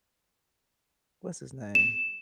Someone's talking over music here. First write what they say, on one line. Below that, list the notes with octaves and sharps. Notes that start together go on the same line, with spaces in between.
What's his name?
E7